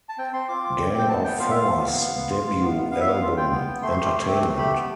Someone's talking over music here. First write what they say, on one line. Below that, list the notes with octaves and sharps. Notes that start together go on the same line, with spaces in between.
Gang of Four's debut album Entertainment!
A5
C4 G5
C4 C6
F4 D6
F4
C4
C4 G5
B3 A5
B3 G5
F4 F5
E5
F4 F5
B3
B3
B3
B3
F4
F4
B3
B3
B3 F5
E5
B3 F5
F4
F4 G5
B3
B3
A3 C6
G4
C6
A3
C4 D6
A3
G4 B5
B3